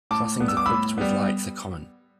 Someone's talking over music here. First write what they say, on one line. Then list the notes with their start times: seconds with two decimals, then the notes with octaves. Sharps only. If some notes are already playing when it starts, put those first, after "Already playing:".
Crossings equipped with lights are common.
0.11 A2 A5 D6
0.40 G3 B3
0.48 E6
0.57 D6
0.66 A2 B5 E6
0.98 G3 B3